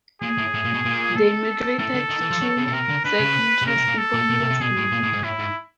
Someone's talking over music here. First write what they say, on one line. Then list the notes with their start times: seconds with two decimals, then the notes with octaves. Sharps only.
They migrated to Zakynthos before he was born.
0.22 A#2 G#4
0.38 A2
0.54 A2
0.65 A#2
0.74 B2
0.85 A#2
1.16 A4
1.79 A2 A4
1.95 D3
2.10 D#3
2.21 E3
2.31 F3
2.41 F#3
2.57 C#3
2.67 B2
2.72 C3 A#4
2.89 D3
3.05 D3 B4
3.20 C#3
3.62 C3
3.66 C#3 A#4
3.77 C3
3.88 A#2
3.98 A4
4.14 A#2
4.30 B2
4.40 C3
4.50 C3
4.61 B2 G#4
4.77 A2
4.92 A#2
5.03 A2
5.13 G#2
5.23 A2 E4
5.39 G#2